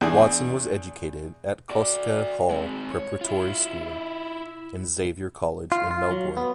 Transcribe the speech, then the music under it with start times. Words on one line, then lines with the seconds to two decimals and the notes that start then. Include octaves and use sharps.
Watson was educated at Kostka Hall preparatory school and Xavier College in Melbourne.
0.01 E2 D4 G#4
1.71 F#4 D5
2.51 G#3 C4
2.91 C#5
3.21 E4 F4
5.72 F4
5.91 F4
6.11 F#3
6.37 B3